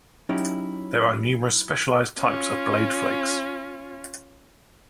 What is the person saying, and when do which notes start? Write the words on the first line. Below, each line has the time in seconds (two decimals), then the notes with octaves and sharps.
There are numerous specialized types of blade flakes.
0.29 F#3 C#4 D#4 E4 G4
2.20 C#4 F4